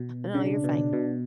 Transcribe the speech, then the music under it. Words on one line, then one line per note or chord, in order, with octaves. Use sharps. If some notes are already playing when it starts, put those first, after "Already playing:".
No, you're fine.
Already playing: B2
C#3 D4
B2
B2